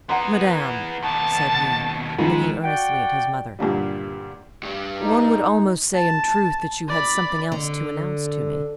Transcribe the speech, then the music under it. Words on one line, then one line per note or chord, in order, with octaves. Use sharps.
"Madame," said he, looking earnestly at his mother, "one would almost say in truth that you had something else to announce to me."
E3 B3 F#5 A#5 C6
D#2 B2 A5
C#2 G#2 D#3 F3 B5
F#4 D5 F#5 G5
G2 A#2 D3 G3
G2 G3
D#4
A5
D5 B5
D3